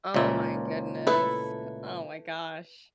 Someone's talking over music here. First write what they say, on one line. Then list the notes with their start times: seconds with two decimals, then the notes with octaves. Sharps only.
Oh, my goodness. Heh oh my gosh.
0.14 C#2 A#2 F3 E5
1.07 A3 E4 A4 B4